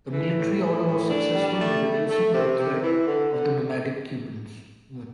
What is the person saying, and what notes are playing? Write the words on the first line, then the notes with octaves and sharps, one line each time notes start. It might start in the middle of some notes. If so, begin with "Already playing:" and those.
The military order was successful in reducing the threat of the nomadic Cumans.
E3
A2
E3
A2
D4
G3
A3
A3
A3
C3
C3
E3
D3
D3